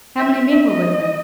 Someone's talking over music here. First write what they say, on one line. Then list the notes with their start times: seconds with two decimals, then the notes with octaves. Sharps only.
'How many men were with him?'
0.19 E5
0.67 D#5